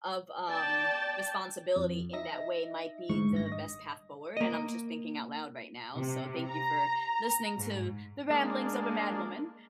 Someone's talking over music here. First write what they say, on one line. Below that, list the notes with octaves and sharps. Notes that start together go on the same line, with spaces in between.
of, um, responsibility in that way might be the best path forward and I'm just thinking out loud right now, so thank you for listening to the ramblings of a mad woman,
D5 G5 A5
F2
D#4 D#5 E5 A#6
D2 G#2 C#6
G#1 G2 A#6
D#5
A#3 D#5
C3
A#5
G#2
G#3 A#3 D4